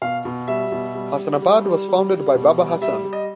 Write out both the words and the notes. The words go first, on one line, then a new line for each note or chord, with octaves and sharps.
Hassanabad was founded by Baba Hassan.
B2 F5
B2
G3 E5
B2
G3
G3
G3
G3
G3
G3
B2
G3
G3 E5
G3
D#5